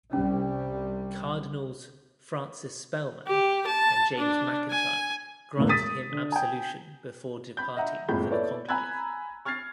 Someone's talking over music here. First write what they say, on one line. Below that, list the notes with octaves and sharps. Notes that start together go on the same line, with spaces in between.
Cardinals Francis Spellman and James McIntyre granted him absolution before departing for the conclave.
C2 G3 C#4
G4
A5
D4
G#5
E1 E2 A2 C#3
D#6 A6 B6 D#7
D3
G5 G#5
B5 G6
D#5 E5 F#5 A#5
F#1 F2 A2 G#3 B5 G6
B3 E4 A4 C#5 D5
G#5 A#5 B5 E6 F#6 G#6
C#6 F6 G#6 A6 C7